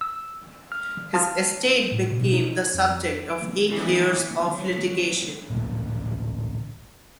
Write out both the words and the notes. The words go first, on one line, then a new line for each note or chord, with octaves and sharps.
His estate became the subject of eight years of litigation.
E6
F6
F3 A5 F6
A2
B2
D#4
F2
D7
E3 B3
F#3
A1 D2 A#2